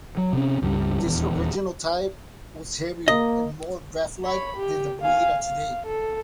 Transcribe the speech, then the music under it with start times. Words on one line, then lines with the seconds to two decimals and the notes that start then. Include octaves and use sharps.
This original type was heavier and more draft-like than the breed of today.
0.17 F#3
0.33 C3 C#4
0.62 C#2 G2 F#3 G3
1.03 D#1 E2
3.08 A#3 D#5
4.24 C#5 B5
4.56 G4
5.02 F5 G#5
5.40 F5
5.87 A4